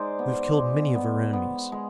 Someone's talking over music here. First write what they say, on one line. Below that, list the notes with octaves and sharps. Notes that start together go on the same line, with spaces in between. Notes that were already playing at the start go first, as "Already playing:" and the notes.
We have killed many of our enemies.
Already playing: G#3 D#4 C5 D5
B3
G#3
B3
B3
G#3